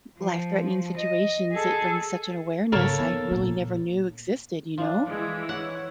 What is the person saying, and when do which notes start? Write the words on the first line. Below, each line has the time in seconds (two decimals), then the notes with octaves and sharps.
life-threatening situations, it brings such an awareness I really never knew existed, you know?
0.19 F3
0.97 D#5
1.52 G#4 A4
2.72 G#2 C#3 A#3 A4 C#5
2.98 B3 D#4
3.31 A#1 A#3
4.78 F3 D4
5.09 E3 G#3
5.49 C#5 F#5